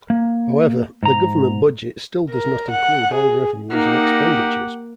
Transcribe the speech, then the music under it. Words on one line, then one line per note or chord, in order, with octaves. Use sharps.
However, the government budget still does not include all revenues and expenditures.
A#3
G#2 A#5
A#4
F#5
G#4
A#3 D#4 G4 F#5